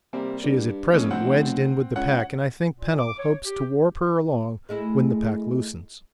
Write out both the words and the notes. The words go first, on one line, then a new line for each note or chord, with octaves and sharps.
She is at present wedged in with the pack, and I think Pennell hopes to warp her along when the pack loosens.
C3 G3 A#3
G2
F1 B2 C#4
C4 F#5
C#2 C#5 F#5 F#6
A#2
D6
C#5
G4
G#3 A3 E4